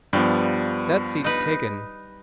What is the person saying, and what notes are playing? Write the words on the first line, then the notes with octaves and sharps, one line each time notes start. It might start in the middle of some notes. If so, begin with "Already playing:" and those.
That seat's taken.
G2 F3 G3 B3
D#4 B4